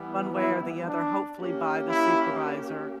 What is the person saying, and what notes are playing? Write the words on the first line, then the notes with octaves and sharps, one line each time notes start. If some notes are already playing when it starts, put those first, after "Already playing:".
one way or the other, hopefully by the supervisor.
Already playing: E3 G3 B3
E4
D4
A#3 C#4 G4
E4